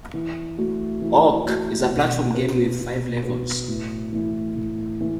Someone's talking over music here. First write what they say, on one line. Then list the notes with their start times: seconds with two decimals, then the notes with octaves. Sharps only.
"Ork" is a platform game with five levels.
0.14 E3
0.58 A3 F#4
1.02 E3
1.46 A3 F#4
1.91 B2
2.35 B3 F#4
2.79 B2
3.23 B3 F#4
3.68 A2
4.13 E3 A3 E4
4.56 A2
5.01 E3 A3 E4